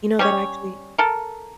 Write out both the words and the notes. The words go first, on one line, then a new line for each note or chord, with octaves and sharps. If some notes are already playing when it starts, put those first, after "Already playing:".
you know, that actually
G3 C#4 C#5
A4 A#4